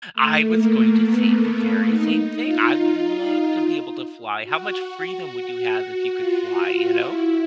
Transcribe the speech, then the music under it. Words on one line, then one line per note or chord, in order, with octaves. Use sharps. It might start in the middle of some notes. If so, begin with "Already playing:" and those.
I was going to say the very same thing. I would love to be able to fly. How much freedom would you have if you could fly, you know?
A3
A#3
A#3
B3
D#4
D#4
F4
F#4
F4
E4